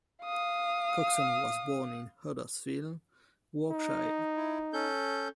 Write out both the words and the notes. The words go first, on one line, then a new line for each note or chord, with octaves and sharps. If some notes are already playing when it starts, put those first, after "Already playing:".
Coxon was born in Huddersfield, Yorkshire.
F5 D#6
D#4
E4
C#4 A4 G6